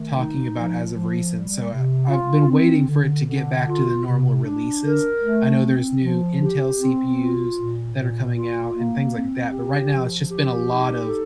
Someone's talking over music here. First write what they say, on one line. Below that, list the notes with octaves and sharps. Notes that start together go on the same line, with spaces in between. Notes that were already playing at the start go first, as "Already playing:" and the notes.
talking about as of recent, so, I I've been waiting for it to get back to the normal releases, I know there's new Intel CPUs that are coming out and things like that, but right now, it's just been a lot of
Already playing: D#3 A3
D#4
F3
F3
G3
C3
F4
C4
D3
D3
F4
C3
D4
A#4
A3
C4
F3
G4
C4
F4
A#2
A#2
F4
A#3
C4
G4
F3
G4
D#4
A4